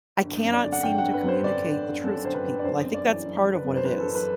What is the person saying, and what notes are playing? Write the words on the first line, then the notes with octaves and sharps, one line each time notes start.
I cannot seem to communicate the truth to people. I think that's part of what it is.
G1
F#2
D5
D3
F#5
G1 G5
F#5
G1
B4
F#2 C5
D3 D5
G1
G1
F#2 A4
D3 C5
B4
G1
D5
F#1 C5
F#2
D5
E3
F#1
F#1
B4
F#2
C5
E3 B4
A4
F#1
B4